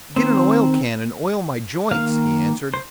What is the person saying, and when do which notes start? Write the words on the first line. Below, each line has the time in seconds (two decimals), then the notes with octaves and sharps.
"Get an oil-can and oil my joints," he answered.
0.16 D#3 C4 C5
1.91 D#3 A#3 F5
2.74 C5